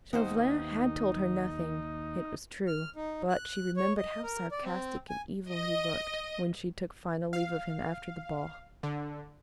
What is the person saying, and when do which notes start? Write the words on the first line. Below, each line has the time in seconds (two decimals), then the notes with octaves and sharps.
Chauvelin had told her nothing, it was true; but she remembered how sarcastic and evil he looked when she took final leave of him after the ball.
0.13 D#2 B3 D#4 C5
2.67 F6
2.96 D#4
3.29 F#6
3.76 C#5
3.97 D#5
4.23 A#4
4.51 D5
4.64 C4
5.09 G#5
5.50 D#5
7.33 F5
8.83 D3